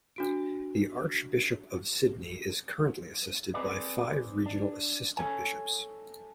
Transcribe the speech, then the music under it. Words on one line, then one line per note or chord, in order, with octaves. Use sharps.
The Archbishop of Sydney is currently assisted by five regional assistant bishops.
D4 F#4 D7
C4 G#4 B4 D5
D4
A4 C#5 G#5